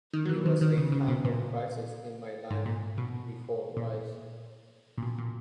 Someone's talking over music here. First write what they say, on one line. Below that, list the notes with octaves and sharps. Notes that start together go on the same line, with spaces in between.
"It was a time of crisis in my life," recalled Rice.
D#3
F#3
E3
D#3
D#3
C#3
C#3
B2
A#2
G#2
A#2
B2
A#2
A#2
B2
A#2